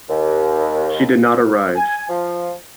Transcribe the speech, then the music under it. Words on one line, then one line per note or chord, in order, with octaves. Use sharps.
She did not arrive.
D#2
G#5
F3